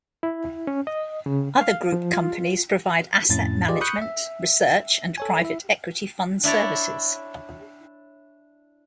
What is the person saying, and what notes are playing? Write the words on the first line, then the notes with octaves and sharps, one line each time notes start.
Other group companies provide asset management, research and private equity fund services.
E4
C#4
D#5
C#3
F5
F3
F4
F2 A2 C#4 A6
F4 G4 G#4 B4 D5 D#5
B5 C#6 D#6 F#6 G6 C#7
E5
A4 C#5 G#5
E4 E5
D4 E4 C#5 D5